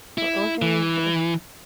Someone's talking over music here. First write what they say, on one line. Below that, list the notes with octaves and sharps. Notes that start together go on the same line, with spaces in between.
Oh, okay. Uh
E4
E3